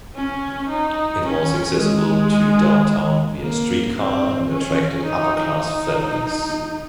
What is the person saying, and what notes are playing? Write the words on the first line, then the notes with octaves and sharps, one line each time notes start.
It was accessible to downtown via streetcar and attracted upper-class families.
C#4
D#4
C#4
G#3
A#3
C4
C#4
D#4
D#4